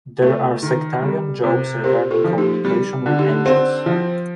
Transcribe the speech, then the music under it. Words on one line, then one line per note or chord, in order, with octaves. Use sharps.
There are sectarian jokes regarding communication with angels.
A3 F4 A4
D#3
G3
C3
C4 G4 A#4
F4 A4
F3
D#4 G4
G3
D3
D#4 G4
C4
F3